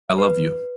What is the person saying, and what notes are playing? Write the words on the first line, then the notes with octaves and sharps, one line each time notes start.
I love you.
B4